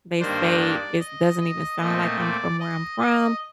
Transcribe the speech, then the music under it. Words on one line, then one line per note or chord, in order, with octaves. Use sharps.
They say it's doesn't even sound like I'm from where I'm from,
G2 D#3 A#3 D4 C5
D5
D#5
D#5
A#2 A3 C4 D#5
D5
D#5
D#5